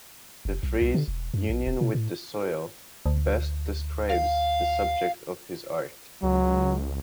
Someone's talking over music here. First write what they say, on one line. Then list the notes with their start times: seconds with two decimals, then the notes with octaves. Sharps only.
The phrase 'union with the soil' best describes the subject of his art.
0.45 F1
0.63 B1
0.81 C2
0.94 D3
1.08 E1
1.34 F#2
1.49 A#1
1.67 D#1
1.81 B2
1.95 A2
3.06 D2
4.10 F5
6.23 C#2 F#3